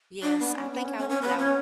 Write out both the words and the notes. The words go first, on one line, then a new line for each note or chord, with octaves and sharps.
Yes, I think I would I would
D4
B3
C#4
B3
C#4
C#4
C#4
B3
C#4